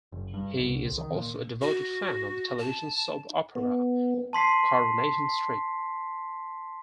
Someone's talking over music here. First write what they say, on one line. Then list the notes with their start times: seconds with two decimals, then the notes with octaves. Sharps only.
He is also a devoted fan of the television soap opera "Coronation Street".
0.12 F#1
0.34 G2
0.59 C2
0.84 C#2
0.98 D#3
1.15 A#2
1.62 F#4
2.59 A5
3.55 B3
4.33 A5 C6 B6 C7